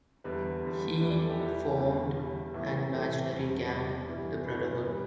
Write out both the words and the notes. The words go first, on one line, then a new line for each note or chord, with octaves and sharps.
He formed an imaginary gang, the Brotherhood.
E2 D3 G3 B4
E2 D3 G3
E2 E3 G3 B4
D5
A4
G4
E2 E3 G3 B4
E2 B2 G3
E2 B2 G3
A2 E3 G3
A2 E3 G3 A4
E2 B2 G3
E2 B2 G3 D5
G2 E3 G3
G2 E3 G3 B4
G3 B4